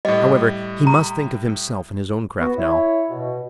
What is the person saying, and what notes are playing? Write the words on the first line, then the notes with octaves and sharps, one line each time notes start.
However, he must think of himself and his own craft now.
A2 G3 D#5
A#5
B3 F#4
E4 C#5
B2